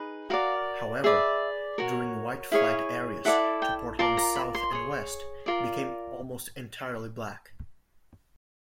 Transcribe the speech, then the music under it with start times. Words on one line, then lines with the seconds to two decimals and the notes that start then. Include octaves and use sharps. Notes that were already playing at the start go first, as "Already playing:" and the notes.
However, during White Flight areas to Portland's south and west became almost entirely Black.
Already playing: D#4 G#4 B4
0.30 F#4 A#4 D5 F5
1.04 G#4 B4 D5 E5
1.78 F#4 A#4 C#5
2.52 E4 G#4 C#5 F5
3.25 E4 A4 D5 F#5
3.62 G5
3.99 F4 A#4 D5 A5
4.17 A#5
4.36 B5
4.55 C6
4.73 G#4 C#5
5.46 F4 A#4 D5